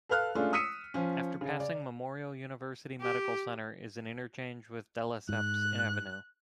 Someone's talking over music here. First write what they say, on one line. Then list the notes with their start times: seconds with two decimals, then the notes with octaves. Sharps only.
After passing Memorial University Medical Center is an interchange with Delesseps Avenue.
0.09 A4 B4 F5 F6 F#6
0.35 G#3 A3 C#4 D4 F4 A4
0.53 D#6 E6 B6 C#7 D#7
0.94 F3 C#4
1.41 C#3
1.60 D5
3.01 G4
5.29 G#2 F#6